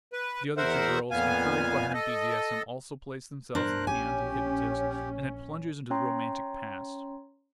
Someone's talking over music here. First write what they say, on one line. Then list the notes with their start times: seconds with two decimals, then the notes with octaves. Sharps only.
The other two girls, encouraged by her enthusiasm, also placed themselves in the hands of the hypnotist and had plunges into the romantic past.
0.13 B4
0.57 E2 A#4 C5 E5 F#5
1.11 F2 A#2 B3 F5 G#5
1.94 A4 D#5
3.55 G2 D4 A#4 C5 F#6
3.87 A#1 C#4 G4 G#5
5.90 C#4 C#5 G5 A#5 C6